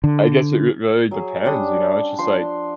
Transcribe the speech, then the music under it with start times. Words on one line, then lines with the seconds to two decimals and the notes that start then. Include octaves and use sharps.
I guess it r really depends, you know? It's just like,
0.04 D3
1.11 F#3 G#4
1.45 G3 C#4 D4 D#6
2.18 F3 C6